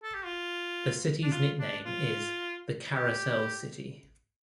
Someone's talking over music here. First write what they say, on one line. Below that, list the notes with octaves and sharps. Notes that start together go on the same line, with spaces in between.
The city's nickname is "The Carousel City".
A4
G4
F4
D4
F4
D4
F4
G4